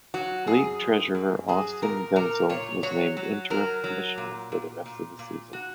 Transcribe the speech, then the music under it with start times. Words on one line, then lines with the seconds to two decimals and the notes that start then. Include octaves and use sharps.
League Treasurer Austin Gunsel was named interim commissioner for the rest of the season.
0.14 F#3 F#4
0.47 F#2 G#4
0.81 F#2
1.15 F#2
1.48 F#3 G#4
1.82 A#2 A#4
2.16 A#2 A#4
2.49 A#2 C#5
2.83 F#3 C#5
3.17 F#3
3.50 F#3 A#4
3.84 F#3
4.18 A#2
4.52 A#2
4.86 A#2
5.19 A#2
5.53 F#4